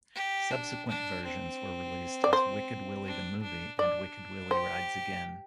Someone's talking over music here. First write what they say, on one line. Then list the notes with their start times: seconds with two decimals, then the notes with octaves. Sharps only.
Subsequent versions were released as Wicked Willie The Movie and Wicked Willie Rides Again.
0.16 G4
0.51 D4
0.89 D4
1.25 C4
2.24 D5
2.33 C5
3.06 D4
3.42 D4
3.79 D4 D5
4.51 G4 C5